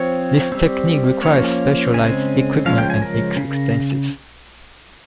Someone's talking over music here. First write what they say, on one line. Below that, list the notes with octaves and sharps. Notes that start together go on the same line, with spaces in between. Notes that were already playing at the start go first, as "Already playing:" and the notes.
This technique requires specialized equipment and is expensive.
Already playing: F3 C4 C#5
G3 C4
F3 A#3 C#4 C#5
C#3 G#3 C4 G#5
C#3 F3 G#3 C#4 F5
G5
G#5
A#4
C#3